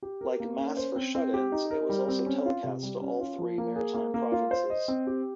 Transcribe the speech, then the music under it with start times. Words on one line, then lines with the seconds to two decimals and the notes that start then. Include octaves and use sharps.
Like "Mass for Shut-ins", it was also telecast to all three Maritime provinces.
0.02 G4
0.21 A#4
0.40 A#3
0.58 C#4
0.77 C5
0.96 C4
1.15 C4
1.34 G4
1.52 D#4
1.71 A#4
1.89 G3
2.08 C4
2.26 C#4
2.46 F4
2.64 C3
2.83 G3
3.01 C#4
3.20 F4
3.38 F3
3.58 A#3
3.76 G#4
3.94 A#3
4.14 A#3
4.32 F4
4.51 C5
4.70 D#5
4.88 C4
5.07 G4